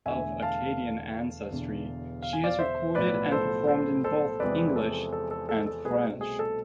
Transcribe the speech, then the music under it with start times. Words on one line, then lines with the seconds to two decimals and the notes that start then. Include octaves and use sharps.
Of Acadian ancestry, she has recorded and performed in both English and French.
0.05 E1 E2 D3 A3 E5 G#5
0.42 F5 A5
1.51 E1 E2 D3
2.22 F5
2.33 G#5
2.44 D5 F5
2.59 C5 E5
2.95 B1 A2 F3 B4 D5
3.31 A4 C5
3.67 A4 C5
4.04 A4 C5
4.40 E2 C3 F3 G#3 C4 B4 D5
4.76 A4
5.13 A4
5.31 A4
5.49 A4
5.66 A4
5.85 C2 B2 A3 C4 G#4 B4
6.21 G#4
6.39 A4